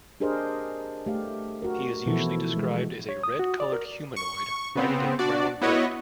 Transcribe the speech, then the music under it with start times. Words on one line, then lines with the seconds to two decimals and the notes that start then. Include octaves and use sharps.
He is usually described as a red coloured humanoid, riding a brown goat.
0.20 D4 G4 G#4 A#4 C5 D#5
1.06 A3 G4 F5
1.62 F#4 A#4
2.06 B2 E3 F3 E4 A4
2.52 G#3 F#4
3.09 C#5
3.23 D#6
3.39 F#4
3.60 D5
3.72 A#4
4.16 C#6
4.76 C#3 B3 C4
5.19 D4 F#4 D5
5.61 B3 E4 F#4 B4 C#5 D#5